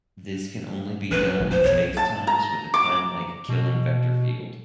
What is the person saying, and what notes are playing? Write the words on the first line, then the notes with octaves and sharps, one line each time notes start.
This can only be done in spacetimes with a timelike Killing vector field.
F#3 G3 C4 B4
E1 A1 D#3
F2 C5
B1 B2 C#5
A5
A#5
D6
B2